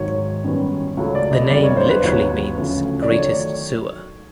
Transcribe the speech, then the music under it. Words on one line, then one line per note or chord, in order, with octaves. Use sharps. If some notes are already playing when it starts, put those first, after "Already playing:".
The name literally means "Greatest Sewer".
Already playing: G#1 G#2 D#3 F#3 C#5
F#2 D#3 G3 B3
C#2 C#3 F#3 A3 C#5
D5
D#5
F2 D3 G3 A#3 D5
C#5
C5
B4
D#2 D#3 F#3 B3 C#5
D2 C#3 F3 A3
D5
D#3 F#3 A3 C#5